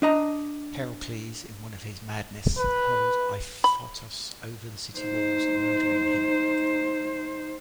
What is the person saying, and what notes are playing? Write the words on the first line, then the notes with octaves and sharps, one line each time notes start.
Heracles, in one of his madness, hurled Iphitos over the city walls, murdering him.
D4 D#5 A#5
B4
B5
D#4 C5